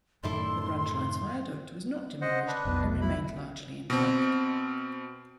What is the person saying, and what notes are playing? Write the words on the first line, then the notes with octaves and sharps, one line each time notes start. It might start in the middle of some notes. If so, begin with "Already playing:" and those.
The branch line's viaduct was not demolished and remained largely intact.
F#2 A2 D#3 D4 E4 A4 C6
C5 D#5 F#5
D4 B4
F1 B1 B2
E4 B5
B2 C4